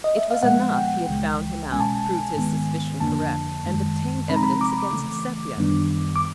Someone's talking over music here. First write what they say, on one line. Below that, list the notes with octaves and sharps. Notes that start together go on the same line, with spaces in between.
It was enough he had found him out, proved his suspicion correct, and obtained evidence against Sepia.
D#5
E5
F5
A#2 F3 G#3 B3 F#5
G5
C#2 C#3 E3 G#3
C2 B2 G#3 C#4 G#5
A5
G#5
G#2 D#3 G#3 B3
F2 D3 F3 A#3 D4 A5
F#2 D#3 G#3
C3 F3 G#3 C4 D#4 B5
A#5
B5
D6
C#3 E3 A3
F#2 D#3 G3 B3 D4
D6